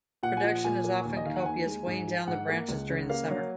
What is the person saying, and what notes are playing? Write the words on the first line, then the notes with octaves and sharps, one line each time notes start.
Production is often copious, weighing down the branches during the summer.
A#2 F#5
G#5
F3 F#5
A#2 G#5
A#3
D#2
D#5
D#3 F5
F#5
D#2 G#5
G#3
G#2
F3
G#2 F#5
A#3
C#2
C#3
A#3 F5
F#3